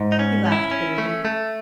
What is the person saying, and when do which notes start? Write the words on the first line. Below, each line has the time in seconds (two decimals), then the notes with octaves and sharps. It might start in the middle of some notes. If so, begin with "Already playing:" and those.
He laughed bitterly.
Already playing: G#2
0.12 D#4
0.19 C#4
0.45 C#4
0.52 E4
0.71 C#4
0.98 A3
1.25 A3